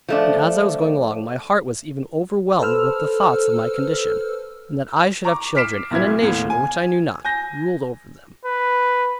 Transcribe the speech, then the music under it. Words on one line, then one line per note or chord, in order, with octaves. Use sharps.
And as I was going along, my heart was even overwhelmed with the thoughts of my condition, and that I should have children, and a nation which I knew not, ruled over them.
F3 A3 D4
A4 B4 C5 E6 F6
A#5 C#6 D6
D6 F6 B6 C7 D7 E7
C2 A#2 F#3 E4 G#6
D#2 A2 B3
G#5
G#5 G6 A#6
B4